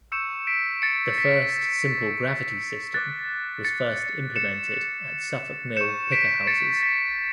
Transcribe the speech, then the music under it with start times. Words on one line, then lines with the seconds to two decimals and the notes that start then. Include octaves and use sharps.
The first simple gravity system was first implemented at the Suffolk Mill Picker Houses.
0.12 C#6 E6 G6 C#7 E7
0.47 B6 D7
0.82 A6 C#7
1.18 B6
2.94 D6 F#6 A6
3.64 A6 C#7
4.36 C#7 E7
5.77 C#6 G6 C#7 E7
6.12 B6 D7
6.47 A6 C#7
6.83 B6